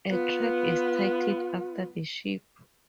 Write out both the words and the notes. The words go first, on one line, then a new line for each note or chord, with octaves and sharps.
A track is titled after the ship.
B3 F4